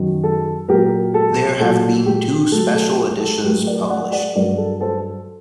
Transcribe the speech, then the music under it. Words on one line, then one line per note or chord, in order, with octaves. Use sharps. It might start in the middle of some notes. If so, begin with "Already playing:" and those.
There have been two special editions published.
Already playing: F#2 D#3 F#3
A4
A#2 F#3 G4 A#4
A4
A#2 F#3 A4
G4
A2 F#3 A4
A4
G4
A4
A2 F#3 G4 A#4
A#4 D5
D5 F#5
D5 F#5
G2 F#3 A#4 D5
A4
A4 C5